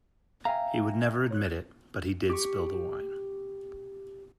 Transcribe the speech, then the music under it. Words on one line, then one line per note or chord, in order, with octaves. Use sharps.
He would never admit it, but he did spill the wine.
E5 F5 G5 G#5 A#5
C#5 F#6
G4 C#6